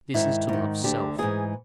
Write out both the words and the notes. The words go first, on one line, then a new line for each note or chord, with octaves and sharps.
This is to love self.
G#2 D#3 E4
G#2 D#3
D2 D3 G4
G#2 E3 G#4